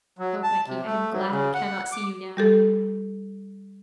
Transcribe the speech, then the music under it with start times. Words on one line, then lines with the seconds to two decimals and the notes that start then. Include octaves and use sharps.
O Becky, I am glad I cannot see you now!'
0.19 F#3
0.43 A5
0.67 C3
0.85 A3
1.12 F#3
1.31 C#3
1.54 F#5
1.92 D6
2.37 G3 G4 A4